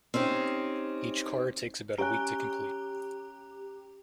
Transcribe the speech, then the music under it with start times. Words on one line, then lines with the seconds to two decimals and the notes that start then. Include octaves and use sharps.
Each car takes about a week to complete.
0.14 C4 C#4 D#4 G4
1.98 C#4 G4 G#5 A#5 F#6